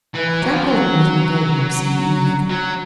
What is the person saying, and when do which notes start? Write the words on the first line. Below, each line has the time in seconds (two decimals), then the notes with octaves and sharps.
Jack Gordon was in the ballroom scene in make-up.
0.15 E3
0.44 F#3
0.53 F3
0.65 F#3
2.50 F#3